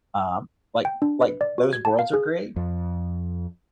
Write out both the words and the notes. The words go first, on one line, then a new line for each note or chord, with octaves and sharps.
Um, like like, those worlds are great,
G5
D4
B4
D5
F#4
G#6
A5
F5
G#4
F2